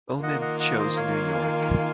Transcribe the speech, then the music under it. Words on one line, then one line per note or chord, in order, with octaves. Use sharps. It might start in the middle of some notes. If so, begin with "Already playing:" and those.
Ullman chose New York.
D#3 A#3 F4 D#5 F#5
D#5 F#5
D#5 F#5
C5 D#5
C#5 F5
F5 G#5